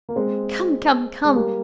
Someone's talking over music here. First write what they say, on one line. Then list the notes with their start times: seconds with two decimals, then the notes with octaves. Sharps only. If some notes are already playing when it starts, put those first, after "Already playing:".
'Come, come, come!
0.09 A#3
0.16 G#3 C4
1.25 G#3
1.35 G3 A#3